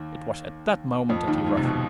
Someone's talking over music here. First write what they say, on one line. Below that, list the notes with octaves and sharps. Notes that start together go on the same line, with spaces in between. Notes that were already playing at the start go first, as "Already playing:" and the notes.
It was at that moment that he rushed me.
Already playing: D#2 D#3
F2 F3
D#2 D#3
G#2
C3
B2